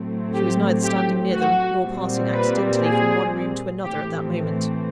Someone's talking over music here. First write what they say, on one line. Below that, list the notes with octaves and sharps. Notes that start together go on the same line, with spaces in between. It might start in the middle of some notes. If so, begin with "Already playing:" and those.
She was neither standing near them, nor passing accidentally from one room to another at that moment.
Already playing: A2 F#3 A3 C4
G4
G4
F#4
A#2 G3 C4
B4
G#4
A2 E3 A3 C4 G4